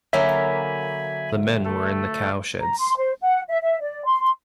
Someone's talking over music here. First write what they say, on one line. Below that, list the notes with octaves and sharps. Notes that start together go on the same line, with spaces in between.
The men were in the cowsheds.
D3 F#3 A#3 C#5 E5 G#5 B5
A3 A4
A#5
C6
C5
F#5
E5
E5
D5
C6